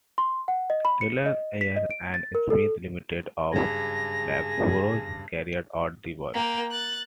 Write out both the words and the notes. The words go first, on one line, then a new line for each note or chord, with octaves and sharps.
Taylors Eayre and Smith Limited of Loughborough carried out the work.
C6
F#5
D#5
B5
C#7
D#5
B6
D#5
D7
A6
A#4
A4
F#1 G2 G#4 A#6
A#3 G5
F#6 A6